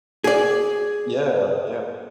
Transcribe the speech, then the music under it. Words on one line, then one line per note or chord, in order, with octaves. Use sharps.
Yeah, yeah.
G#4 D5